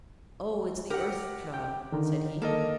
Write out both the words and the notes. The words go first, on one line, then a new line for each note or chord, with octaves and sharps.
"Oh, it's the Earth Child," said he.
G4 A#4 F#5
G5
D3 D#3
A#3 A4 A#4 D#5